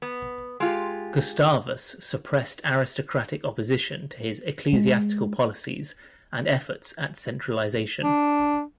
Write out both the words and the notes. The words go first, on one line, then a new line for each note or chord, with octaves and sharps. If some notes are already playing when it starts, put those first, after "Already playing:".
Gustavus suppressed aristocratic opposition to his ecclesiastical policies and efforts at centralisation.
B3
G#3 F4 G4
G#3
D4